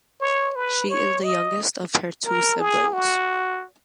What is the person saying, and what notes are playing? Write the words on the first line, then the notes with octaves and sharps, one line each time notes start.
She is the youngest of her two siblings.
C#5
B4
C#5
D#5
A#4
G#4
F#4